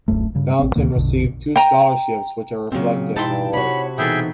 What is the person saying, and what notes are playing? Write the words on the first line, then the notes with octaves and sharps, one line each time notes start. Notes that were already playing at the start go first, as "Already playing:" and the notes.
Fountain received two scholarships which are reflected in her work.
D1 B1 F#2 A3
G2 C#3
A1 C4
D2 A#2 D#3 A#3
A#1 F2 B2 D3
G5 A#5
A#2 C#3 F#3 C4
B2 E3 D#4 E4 G5 A5 C6
C3 F#4 C#5 F#5 B5
B2 E3 D#4 G#4 A4 E5 G5